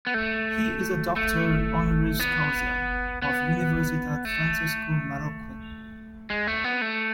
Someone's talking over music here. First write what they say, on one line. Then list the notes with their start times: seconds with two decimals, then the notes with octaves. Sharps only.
He is a doctor "honoris causa" of Universidad Francisco Marroquin.
0.07 B3
0.14 A3
1.16 A3
2.19 B3
3.22 B3
4.25 A3
6.30 G#3
6.47 A3
6.64 B3
6.82 A3